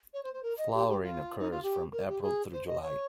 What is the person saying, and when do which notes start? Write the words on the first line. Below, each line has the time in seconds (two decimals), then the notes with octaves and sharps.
Flowering occurs from April through July.
0.14 C#5
0.23 C5
0.33 C5
0.43 A#4
0.58 D#5
0.73 G4
0.88 G4
1.02 F4
1.39 D#4
1.51 F4
1.63 G4
1.92 A#4
2.08 G4
2.22 G#4
2.52 C5
2.67 D#5
2.82 C#5